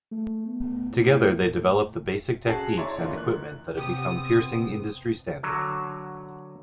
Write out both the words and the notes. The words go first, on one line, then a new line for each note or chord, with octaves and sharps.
Together they developed the basic techniques and equipment that have become piercing industry standard.
A3
B3
A2
C#4 F#4 G#4 A5 A#5
E4 C#5 D5 E5 A#5 C6
D3 E3 A#3 D#4 F4
F#6
C3 B3 C4 G4 D#6
D3 F#3